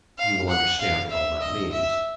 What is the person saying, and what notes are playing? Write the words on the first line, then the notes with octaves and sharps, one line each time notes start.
You will understand what all that means.
F5
F#5
F5
E5
D#5
E5